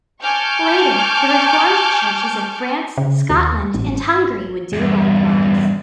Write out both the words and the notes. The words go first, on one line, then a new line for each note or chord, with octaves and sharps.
Later, the Reformed churches of France, Scotland, and Hungary would do likewise.
G#5 A5 C#6 D6 F6 G6
C#3
D#2
A1
G#1
E2 G2